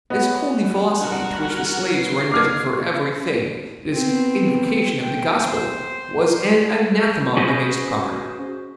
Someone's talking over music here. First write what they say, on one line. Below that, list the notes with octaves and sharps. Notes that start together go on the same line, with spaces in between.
This holy philosophy, to which the slaves were indebted for every thing, this invocation of the Gospel, was an anathema against property.
B3 C#5 D#5
G3 D4 F#4 A#4
B4 C7
A#3 D6 F6 G#6
B3 C4
G5
C5
C#4 F#4 G#4 B4 C5 D#5